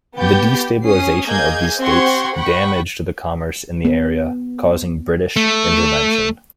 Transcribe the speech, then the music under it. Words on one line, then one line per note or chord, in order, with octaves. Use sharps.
The destabilisation of these states damaged the commerce in the area, causing British intervention.
B3 G4 G6 A6
C#4 D#6 C7
A#3 G#4 D#5 G6 G#6
C4 G4 F#5 C6 C#6 G#6
F#5 G5 B5 C#6
B3
A3